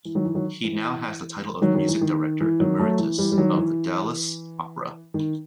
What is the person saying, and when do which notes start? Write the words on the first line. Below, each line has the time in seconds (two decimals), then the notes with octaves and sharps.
He now has the title of Music Director Emeritus of the Dallas Opera.
0.05 E3
0.15 D#3 F#3
0.25 E3
0.34 D#3 F#3
0.65 E3
1.62 D#3 F#3
1.75 D#3 F#3
1.88 E3
2.01 D#3
2.41 E3
2.60 D#3 F#3
2.79 F#3 A3
2.99 E3
3.18 E3 G3
3.32 G3
3.38 D#3 F#3
3.57 E3
5.14 D#3